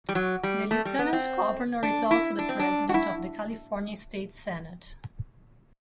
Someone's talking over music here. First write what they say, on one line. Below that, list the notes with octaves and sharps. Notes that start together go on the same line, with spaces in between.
The lieutenant governor is also the President of the California State Senate.
G3
F#3
G3
A3
G3
B3
C4
D4
E4
D4
C4
D4
F#4
E4